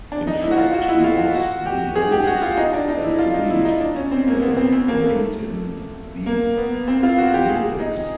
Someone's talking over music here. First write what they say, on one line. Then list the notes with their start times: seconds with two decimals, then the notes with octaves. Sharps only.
In fact, he was the oldest athlete ever to compete in the Olympics.
0.12 D4
0.27 D#4
0.42 E4
0.51 F#4
0.58 F4
0.73 F#4
0.89 E4
1.04 F4
1.35 F#4
1.66 G4
1.96 G#4
2.12 G4
2.27 F#4
2.42 F4
2.58 D#4
2.73 D4
2.88 D#4
3.04 E4
3.19 F4
3.34 D#4
3.50 E4
3.65 D#4
3.80 D4
3.96 C#4
4.11 C4
4.27 A#3
4.42 B3
4.57 C4
4.73 C4
4.88 A#3
5.03 A3
6.26 A#3
6.57 B3
6.88 C4
7.03 F4
7.18 F#4
7.34 G4
7.49 G#4
7.80 D#4